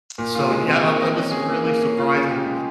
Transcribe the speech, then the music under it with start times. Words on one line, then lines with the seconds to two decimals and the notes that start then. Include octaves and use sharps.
so, yeah, w it was really surprising
0.18 A#2
0.35 F4
0.51 G#3
0.68 C4
0.83 A#3
1.00 D#5
1.16 C#4
1.32 G#4
1.49 A#3
1.65 A#3
1.82 C#4
1.98 F4
2.14 C#3
2.31 G4
2.46 G#3